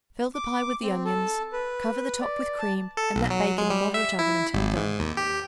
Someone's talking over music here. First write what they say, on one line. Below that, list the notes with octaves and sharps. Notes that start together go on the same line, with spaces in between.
Fill the pie with the onions, cover the top with cream and let bake in a moderate oven until done.
D6
C4
A4
B4
D5
A5
A4
B1
F#3
G#3
G3
E5
E4
G#1
G#2
D#2
G4